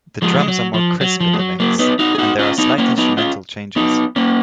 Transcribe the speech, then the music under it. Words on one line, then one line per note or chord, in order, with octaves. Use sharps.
The drums are more crisp in the mix, and there are slight instrumental changes.
F3 G#3
G#3
F#3
F3
F#3
F3
G#3
F#3
F#3 A#3
B3 D#4
D#4 F#4
G#4
D#4 F#4
C#4 F4
B3 D#4
A#3 C#4
B3 D#4
C#4 F4
B3 D#4
A#3 C#4